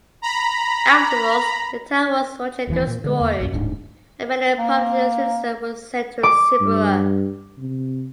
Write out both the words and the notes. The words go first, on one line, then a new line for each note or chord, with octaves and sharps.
Afterwards the town was utterly destroyed and many prominent citizens were sent to Siberia.
A#5 B5
D#1 D#2 B2 E3
A#2
D3 D#3 G#3
E2 A#3
A#1 F#2
D1 G#2 B3 D4
A#3
D6
G2
C3